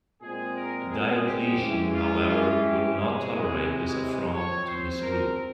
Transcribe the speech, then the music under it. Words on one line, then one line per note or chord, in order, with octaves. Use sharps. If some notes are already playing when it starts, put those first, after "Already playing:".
Diocletian, however, would not tolerate this affront to his rule.
A#2 G#3 C4 G#4
A#4
G#4
G4
E3 G#3 C#4
F4
F4
G4
C3 E3 G#3 G#4
F3 C4 C#5
C5
A#4